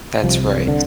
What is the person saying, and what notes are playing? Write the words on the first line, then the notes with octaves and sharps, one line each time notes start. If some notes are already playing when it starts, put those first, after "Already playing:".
That's right.
C2 C3 F3
D3